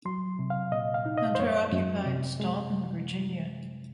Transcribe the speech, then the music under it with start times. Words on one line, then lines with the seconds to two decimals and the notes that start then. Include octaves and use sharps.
Hunter occupied Staunton, Virginia.
0.05 F#3 C6
0.39 C3
0.50 F5
0.72 A#2 D#5
0.94 F5
1.06 D#4
1.17 D#5
1.35 C5
1.39 F#2 C#5
1.72 F#2
2.06 C3
2.40 G#3